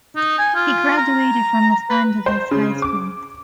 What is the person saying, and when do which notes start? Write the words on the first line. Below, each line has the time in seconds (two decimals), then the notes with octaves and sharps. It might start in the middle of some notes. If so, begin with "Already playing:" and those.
He graduated from Los Angeles High School.
0.16 D#4
0.39 G#5
0.55 F4
0.97 A#5
1.90 B4
2.26 C5
2.51 C#3
2.82 D6